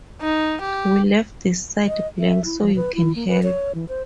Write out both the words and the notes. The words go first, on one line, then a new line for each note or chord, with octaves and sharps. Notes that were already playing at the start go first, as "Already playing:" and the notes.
We left this side blank so you can help.
D#4
G4
D#5
E5
E4
F3
B4
E4
A#3
B4
C#5
E3
C5